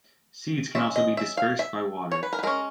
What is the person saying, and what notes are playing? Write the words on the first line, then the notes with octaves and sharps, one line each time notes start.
Seeds can also be dispersed by water.
G#3 C#4 E5
D#5
E5
F5
E5
C#5
B4
A#4
B4
G#3 C#4 A#4